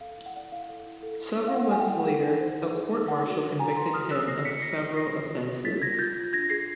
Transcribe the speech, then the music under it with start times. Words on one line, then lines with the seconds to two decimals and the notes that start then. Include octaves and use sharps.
Several months later, a court martial convicted him of several offenses.
0.01 A4 F5
0.17 E4
0.26 F#5
0.35 D5
0.52 E4 F5
0.69 A4
0.86 E4
1.03 A4
1.21 E4
1.37 C#5
1.48 F5
1.54 E4 F#5
1.71 A4 F#5 G#5
1.80 G5
1.89 E4 F#5
2.05 G#4
2.23 D#4
2.40 C5
2.57 D#4
2.75 G#4
2.92 D#4
3.08 A#4 F#5
3.26 F#4
3.43 C#5
3.59 F#4 G#5 A#5
3.76 A#4 A#5 C6
3.93 F#4 D#6 F6
4.10 A#4 E6 F#6
4.28 F4 A#6 C7
4.45 C#5 B6 C#7
4.62 F4 A#6 C7
4.80 A#4
4.96 F4 A#6 C7
5.13 A#4
5.31 F4
5.48 C#5
5.65 F4 A6 B6
5.82 A#4 G#6 A#6
5.99 F4 G6 A6
6.16 F4
6.33 D4 G#6 A#6
6.50 G#4 A#6 C7